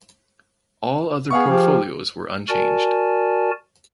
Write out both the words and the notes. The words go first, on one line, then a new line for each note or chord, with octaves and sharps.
All other portfolios were unchanged.
B3 G#4 F5 C#6
F3 G4
F#4 A#4 D5 G#5 A5